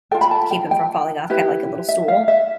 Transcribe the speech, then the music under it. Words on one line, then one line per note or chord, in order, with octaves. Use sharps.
to keep him from falling off, kind of like a little stool,
F4 A4 G5
B5
A5
G5
G5
E4 G4 B4
E5
F5
E5